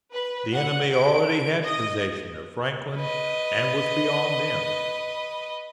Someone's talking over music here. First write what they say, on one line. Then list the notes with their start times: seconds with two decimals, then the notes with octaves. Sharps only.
The enemy already had possession of Franklin, and was beyond them.
0.13 B4
0.52 F#5
0.93 D7
1.62 D#5
2.97 B4 D#5